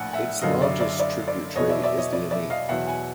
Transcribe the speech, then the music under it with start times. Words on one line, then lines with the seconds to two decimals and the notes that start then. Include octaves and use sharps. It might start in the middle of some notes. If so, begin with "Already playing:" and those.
Its largest tributary is the Ennepe.
Already playing: A#1 A2 F#5 G#5
0.13 E5 F#5
0.42 F#1 F#2 D3 F#3 D#5 F5
0.61 D5 E5
0.80 D5 E5
0.99 D5 E5
1.28 D5
1.55 E2 B2 F#3 C#5 D#5
1.69 D5 E5
1.84 D5 E5
1.98 C#5 D#5
2.13 D5
2.31 D5 E5
2.50 D#5 F5
2.69 E2 B2 F#3 E5 F#5
2.88 F#5 G#5